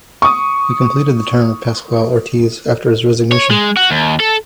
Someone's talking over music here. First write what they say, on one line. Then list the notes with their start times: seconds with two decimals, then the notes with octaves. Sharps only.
He completed the term of Pascual Ortiz after his resignation.
0.22 C#6 D#6
3.32 C#5
3.51 G#3
3.77 F#4
3.91 D#2
4.20 A4